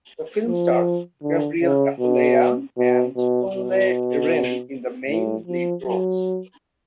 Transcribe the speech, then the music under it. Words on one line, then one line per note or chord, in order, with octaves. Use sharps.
The film stars Gabriel Afolayan and Kunle Remi in the main lead roles.
F3
D3
C#3
B2
B2
B2
B2
A2
F3
F#3